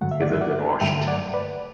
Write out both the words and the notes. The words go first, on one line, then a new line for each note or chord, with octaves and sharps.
He lived in Washington.
G2 D3 F#3 A3 F#5
E5
D5 F#5
E5
D5 F#5
G2 D3 F#3 A3 E5 G5
D5 F#5
B4 D5